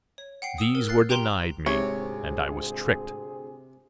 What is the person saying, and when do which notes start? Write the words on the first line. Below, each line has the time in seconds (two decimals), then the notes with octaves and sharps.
These were denied me, and I was tricked.
0.18 C#5
0.42 F#5 G5 C7
0.58 D#6 E6
0.75 A#4
0.88 F6 F#6 A6 C7
1.09 G4 G5 A#5 C6 F7 G7
1.66 D2 G#2 C3 C4 G#4 C#5